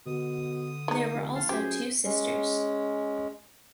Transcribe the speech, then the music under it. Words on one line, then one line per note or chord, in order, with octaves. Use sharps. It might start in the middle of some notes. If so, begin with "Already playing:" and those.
There were also two sisters.
B2 D3 D#6
G#3 D#4
F1
A#1 F5 A5 C6
F#2 G4 G#4 C5
G#3 C#4